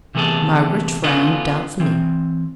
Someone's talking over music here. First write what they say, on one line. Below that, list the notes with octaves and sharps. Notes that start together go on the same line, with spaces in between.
Margaret frowned doubtfully.
C3 E3 A3 B3 G#4 A4
B3 C#4 D4 F4 A4 B4
E3 C4